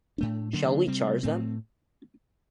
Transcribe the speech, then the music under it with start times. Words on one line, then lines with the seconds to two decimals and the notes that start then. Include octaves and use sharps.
Shall we charge them?
0.18 A2 A3 D4
0.53 D3 F#3 A#3 D4
0.87 C3 G3 C4
1.23 A2 A3 C4